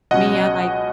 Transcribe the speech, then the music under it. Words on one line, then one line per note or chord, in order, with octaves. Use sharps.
Me, I like
C#2 B2 F#3 C#4 D#5 F#5